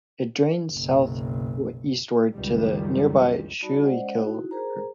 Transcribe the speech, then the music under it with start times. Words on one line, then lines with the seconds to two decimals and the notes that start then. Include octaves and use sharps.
It drains southeastward to the nearby Schuylkill River.
0.72 F#1 B1
2.33 C#2 F#2 D#3 G3
3.62 G3 D#4 F#4 D5 A5 B5
3.84 G#3 C#4 C5 D5 D#5 F#5
4.18 D#4 E4 F#4
4.51 G#4 A#4 C5 A#5